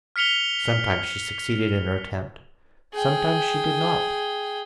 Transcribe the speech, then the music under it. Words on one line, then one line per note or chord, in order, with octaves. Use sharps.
Sometimes she succeeded in her attempt; sometimes she did not.
F6 B6 C#7 F7 G7
G#4 G5